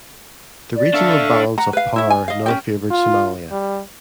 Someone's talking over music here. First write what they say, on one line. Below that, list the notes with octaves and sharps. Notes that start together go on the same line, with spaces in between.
The regional balance of power now favoured Somalia.
D5
D4 A4 E5 F5 C#6
F#5 A#5
B4 F5
E4 E5
G#5
D#5 F5
C#4 F#4 G5
F4
G3